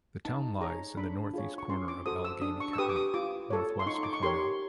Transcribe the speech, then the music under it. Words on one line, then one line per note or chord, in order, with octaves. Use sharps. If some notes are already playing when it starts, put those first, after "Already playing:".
The town lies in the northeast corner of Allegany County, northwest of Hornell.
D#4 A5
G#4 C#5 A#5
D4 B5
F4 G#4 C#5
C#6
C#4 C6
D6
F#4 A4 C5 D#6
E6
D4 D#6
C#6
E6
G4 B4 D#6
D6
D#6
F4 D6
A4 C#5
C6
D#4 C#6
D6
C#6
G4 A#4 C#5 C6